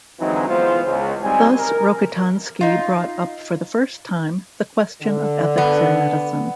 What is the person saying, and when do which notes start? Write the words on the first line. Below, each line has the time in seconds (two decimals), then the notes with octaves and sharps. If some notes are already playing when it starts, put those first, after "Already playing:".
Thus Rokitansky brought up for the first time the question of ethics in medicine.
0.20 D3 E3 F#3 G#3 C4 D#4
0.49 E3 G#3 B3 F4 C5
0.86 C#2
1.23 B1 G3 C4 D#4 G#5
1.58 A#4
2.61 D#4 F4
5.02 D3
5.58 B3